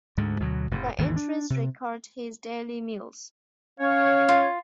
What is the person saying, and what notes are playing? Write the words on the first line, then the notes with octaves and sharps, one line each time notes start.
The entries record his daily meals.
D2 G#2 D3
D2 B2 F#3
F1 A2
G#1 D#2 C#3 E3
D4
C3
C#4 C#5 F5
F4